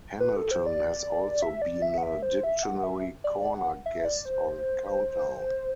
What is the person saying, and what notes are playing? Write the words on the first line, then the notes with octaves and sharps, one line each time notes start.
Hamilton has also been a dictionary corner guest on "Countdown".
B4
A4
C5
D5
E5
D5
E5
F#5
E5
C5
E5
F#5
E5
D5
D5
F#5
E5
D5
C5